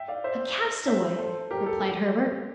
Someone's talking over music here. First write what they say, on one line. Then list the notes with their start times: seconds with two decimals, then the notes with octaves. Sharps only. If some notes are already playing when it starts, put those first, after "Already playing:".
"A castaway!" replied Herbert.
Already playing: E5 G5
0.08 D5 F5
0.24 C5 E5
0.87 C5 E5
1.19 A4 C5
1.51 G4 A#4
1.66 A4
1.82 G4